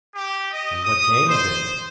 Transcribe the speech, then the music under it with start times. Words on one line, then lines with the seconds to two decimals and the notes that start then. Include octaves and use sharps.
"And what came of it?"
0.15 G4
0.51 D#5
0.83 D#6
1.27 C5